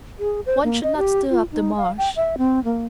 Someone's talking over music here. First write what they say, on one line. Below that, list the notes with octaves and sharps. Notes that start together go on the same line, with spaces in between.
One should not stir up the marsh.
G#4
C5
A#3
D#5
G4
F4
D#4
F5
G5
E5
C4
A#3